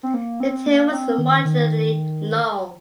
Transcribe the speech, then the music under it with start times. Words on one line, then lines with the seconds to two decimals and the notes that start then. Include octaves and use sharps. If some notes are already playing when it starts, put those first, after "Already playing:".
The tail was moderately long.
0.03 C4
0.14 A#3
0.40 C4
0.66 A#3
0.93 C4
1.18 D#3
1.45 D#3